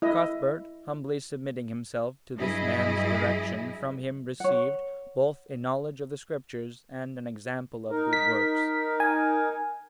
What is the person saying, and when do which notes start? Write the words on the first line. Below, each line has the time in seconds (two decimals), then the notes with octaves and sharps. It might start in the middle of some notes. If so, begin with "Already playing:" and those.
Cuthbert, humbly submitting himself to this man's direction, from him received both a knowledge of the Scriptures, and an example of good works.
0.02 E4 D#5
2.37 G2 F#3 E4 G#4 D#5
4.40 C#5 F#5
7.90 D#4 A#4
8.13 B6
9.00 G#5